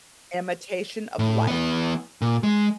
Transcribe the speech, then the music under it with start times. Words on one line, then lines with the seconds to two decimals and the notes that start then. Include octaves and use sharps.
Imitation of Life.
1.19 A2
1.47 E3 B3
2.22 A#2
2.43 G#3